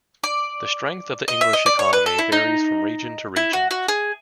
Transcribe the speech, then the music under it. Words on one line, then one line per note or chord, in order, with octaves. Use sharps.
The strength of the English economy varies from region to region.
D5
D#5
E5
D#5
D5
C#5
B4
A4
E4
D#4
E4
F#4
F#4
G#4